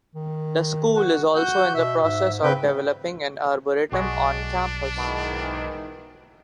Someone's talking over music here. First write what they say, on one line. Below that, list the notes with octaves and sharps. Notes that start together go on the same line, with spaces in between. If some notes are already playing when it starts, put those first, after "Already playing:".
The school is also in the process of developing an arboretum on campus.
D#3
F#4
F#4 G6
B2 E5
G#2 E5
C#3 C4 B4 G5
B1 G#3 D4 F#4 F#5
G#2 B2 D#3 E3